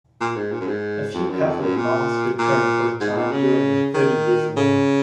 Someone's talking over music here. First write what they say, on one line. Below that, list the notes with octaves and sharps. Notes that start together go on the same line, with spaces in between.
A few Catholic monks returned for a time during the Thirty Years' War.
A#2
G#2
A#2
F#2
G#2
F2
F#2
F2
F#2
A#2
A#2
G#2
A#2
C#3
D#3
C#3